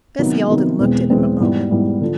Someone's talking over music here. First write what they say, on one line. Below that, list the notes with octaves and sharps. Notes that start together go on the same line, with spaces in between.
Bessie Alden looked at him a moment.
C3 D#3 F#3 B3 D#4
C3 D#3 F#3 B3 D#4
E2 B2 G#3 C4
E2 B2 G#3 C4
G#2 E3 G3 B3
G#2 E3 G3 B3
D3 F3